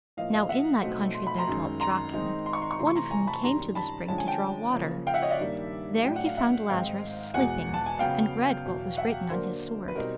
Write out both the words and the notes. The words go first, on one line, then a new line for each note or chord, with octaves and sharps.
Now in that country there dwelt Draken, one of whom came to the spring to draw water; there he found Lazarus sleeping, and read what was written on his sword.
A2 F3 A#3 D#5 F5
D#5 F5
E5 F#5
B2 F#3 A3 C4 D#4
C6
B5
A#5 C6
F#2 D#3 G#3
A#5 C6
D#3 G#3 C4 D#4
C6
C#6
C6
C#6
C3 E3 A3 C6
C#6
A#5 C6
G#5 A#5
A5 B5
F#2 D#3 G3 A#5 C6
A5 B5
D3 F3 G#3 C#4 A5
G#5
G5 A5
C#3 F3 A#3
F5 G5
E5 F#5
C#5 D#5
D5 E5
G2 D#3 G3 A#3 D4
A2 F#3 A3 D4 G5
F#5
F5
E5 F#5
G#2 D#3 G#3 C4 D#4 F5 G5
E2 B2 G#3 F#5 G#5
A5
G#5
C#3 F#3 B3 F5 G5
E2 B2 F#3
E5 F#5
D3 F#3 A#3 D4 A#4 C5
B4
B2 G3 C4 D#4 A#4